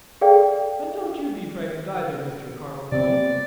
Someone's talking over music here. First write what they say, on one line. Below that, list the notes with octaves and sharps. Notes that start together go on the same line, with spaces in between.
And don't you be frightened, either, Mr. Cardlestone.
G#4 A4 D5 F5 G5
C3 C4 D5